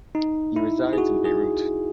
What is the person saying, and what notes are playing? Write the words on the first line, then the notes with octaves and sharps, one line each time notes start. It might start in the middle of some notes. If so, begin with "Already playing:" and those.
He resides in Beirut.
D#4
E4
G#4
F#4
G#4